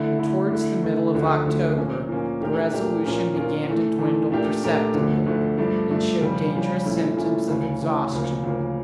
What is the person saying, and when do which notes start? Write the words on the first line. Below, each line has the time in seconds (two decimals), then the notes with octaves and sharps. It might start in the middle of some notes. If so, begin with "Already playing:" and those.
But towards the middle of October the resolution began to dwindle perceptibly, and showed dangerous symptoms of exhaustion.
Already playing: D3 A3 E4
0.19 D3 A3 E4
0.50 D3 A3 E4
0.82 D3 A3 E4
1.14 D2 D3 F3 A3
1.45 D2 D3 F3 A3
1.77 A#2 F3 A#3 C#4
2.09 A#2 F3 A#3 C#4
2.41 A#2 A3 D4 G4 A#4
2.72 A#2 A3 D4 G4 A#4
3.05 A#2 F3 C#4 F4 A#4
3.36 A#2 F3 C#4 F4 A#4
3.67 E2 E3 A3
3.99 E2 E3 A3
4.30 A#2 A3 D4 G4 A#4
4.63 A#2 A3 D4 G4 A#4
4.94 D2 D3 F3 A3
5.26 D2 D3 F3 A3
5.57 G2 F3 A3 D4
5.89 G2 F3 A3 D4
6.21 F2 C#3 G3
6.53 F2 C#3 G3
6.85 A#2 F3 A3 C#4 E4
7.16 A#2 F3 A3 C#4 E4
7.48 D2 C#3 E3
7.80 D2 C#3 E3
8.12 D2 C#3 F3 A#3
8.44 D2 C#3 F3 A#3